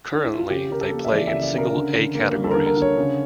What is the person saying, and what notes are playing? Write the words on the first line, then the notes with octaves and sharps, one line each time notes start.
Currently, they play in single "A" categories.
D4
E4
F4
C#3 G4
C#3 A#4
A4
A#3
E5
E3 D5
C#3 E5
D5
C#3 A#4
D3
D3
A#3
G3
A4
A#4
D3
A#4
D3 C#5
C#3